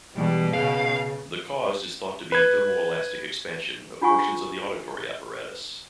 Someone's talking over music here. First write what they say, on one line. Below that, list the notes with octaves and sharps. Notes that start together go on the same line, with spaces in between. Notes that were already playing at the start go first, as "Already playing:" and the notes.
The cause is thought to be thermoelastic expansion of portions of the auditory apparatus.
B2 E3 G3 G#3
C#3 G#4 F5
B4 G#6
D4 F4 F#5 G#5 C#6